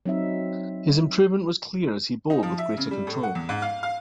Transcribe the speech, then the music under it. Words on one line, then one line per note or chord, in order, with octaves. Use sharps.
His improvement was clear as he bowled with greater control.
F#3 C4 D#4 E5
D#4
F3
E5
C#3
G3
A2
F#5
E2
G#2
F5
F5